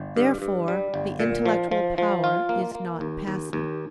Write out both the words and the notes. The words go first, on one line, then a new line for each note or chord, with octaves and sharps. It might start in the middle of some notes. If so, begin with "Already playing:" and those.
Therefore the intellectual power is not passive.
Already playing: G1
G2
G2
G3
G1
A#2
F3
F3
F3
F4
A#3
A#3
D#2
D#2
D#2